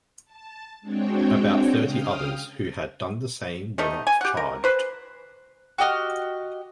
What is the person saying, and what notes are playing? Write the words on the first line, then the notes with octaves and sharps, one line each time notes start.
About thirty others who had done the same were not charged.
A5
G#3 C4 D4 F#4 C#5 G5
C#3 F5 G5 D#6 F6
D#3 G3 A3 D#4
G#5
G4 F#5
A#4
B4 C5
F#4 G4 D#5 F6